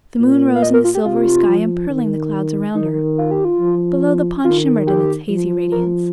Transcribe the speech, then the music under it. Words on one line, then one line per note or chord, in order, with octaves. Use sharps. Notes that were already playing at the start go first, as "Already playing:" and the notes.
The moon rose in the silvery sky, empearling the clouds around her. Below, the pond shimmered in its hazy radiance.
A#2
F5
D#5
A#4
F4
G4
C3 F4
F3
D#3
D#3 D#4
F4
G4
F4
F3
D#3 F4
G4
F3
A#4